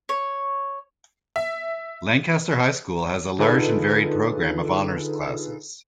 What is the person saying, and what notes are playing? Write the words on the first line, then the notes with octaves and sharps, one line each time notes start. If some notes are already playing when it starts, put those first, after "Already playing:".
Lancaster High School has a large and varied program of honors classes.
C#5
E5
D3 D#4 F4 G#4 A4 B4